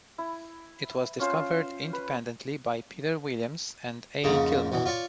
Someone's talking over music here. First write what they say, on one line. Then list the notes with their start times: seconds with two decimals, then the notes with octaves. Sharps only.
It was discovered independently by Peter Williams and A. Gilmore.
0.18 E4
1.20 C#4 F4 C5
1.93 B4
4.24 F2 G#2 C#3 A#3
4.72 B2 E3
4.86 F4 C#5 D5